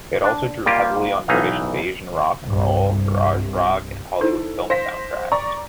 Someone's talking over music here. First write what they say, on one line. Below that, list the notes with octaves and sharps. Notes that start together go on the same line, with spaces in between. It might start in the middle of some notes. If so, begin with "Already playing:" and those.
It also drew heavily on British invasion rock'n'roll, garage rock and Hollywood film soundtracks.
D4
G3 A#3 F4 G4
B1 E3 D#4 F5
C2 G2
D#4 E4 A4 C5
C5 F5 A#6 B6
D5 A#5 C#6